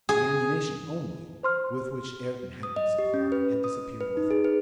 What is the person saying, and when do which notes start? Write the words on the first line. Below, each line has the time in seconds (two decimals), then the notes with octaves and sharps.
The ammunition only, with which Ayrton had been supplied, had disappeared with him.
0.09 G#4
1.43 C5 C6 F6
2.63 D#6
2.76 D#5
2.98 G4
3.14 C#4
3.32 B4
3.64 D#6
4.01 B4
4.17 D#4
4.31 G#4
4.44 B4